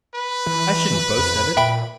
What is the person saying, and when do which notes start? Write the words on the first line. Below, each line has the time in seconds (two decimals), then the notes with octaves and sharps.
I shouldn't boast of it.
0.16 B4
0.46 E3
1.18 F2
1.57 A#2 E5 G5 B5